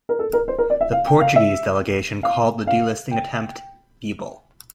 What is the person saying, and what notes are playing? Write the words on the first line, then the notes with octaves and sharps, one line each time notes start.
The Portuguese delegation called the delisting attempt "feeble".
A#4
A4
A#4
C5
A#4
D5
E5
F5
G5
F5
E5
F5
F5
G5